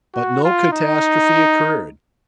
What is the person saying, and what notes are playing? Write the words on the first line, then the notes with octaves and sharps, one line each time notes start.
But no catastrophe occurred.
F#4
F4
D#4